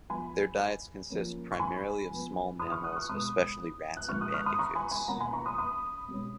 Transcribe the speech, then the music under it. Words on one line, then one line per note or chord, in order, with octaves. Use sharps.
Their diets consist primarily of small mammals, especially rats and bandicoots.
F3 B3 G#5 B5
F3 A#3 C#4
C#6
G#5 B5
F3 B3
B5 D#6
C#6 F6
D#6 F#6
C#6 F6
B2 G#3 B3 B5 D#6
F#6
A#2 F3 G#3 C#6 F6
D#6 F#6
C#6 F6
B5 D#6
A#5 C#6
G#5 B5
G#5 B5
B2 A#3 C#4 F#5 A#5
G#5 B5
A#5 C#6
B5 D#6
B5 D#6
B2 G#3 C#4